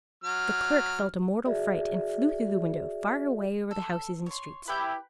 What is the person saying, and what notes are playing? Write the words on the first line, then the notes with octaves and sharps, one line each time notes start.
The Clerk felt a mortal fright, and flew through the window, far away over the houses and streets.
F#3 F6
F#4 G#4 D5 E5
A4
C#5 C6
E4 G4 B4 G5 G6